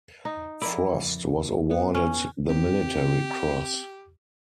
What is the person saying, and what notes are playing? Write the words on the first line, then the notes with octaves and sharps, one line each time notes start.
Frost was awarded the Military Cross.
D#4
F2 E4 A#4 D5
B3
C#4
C4 G4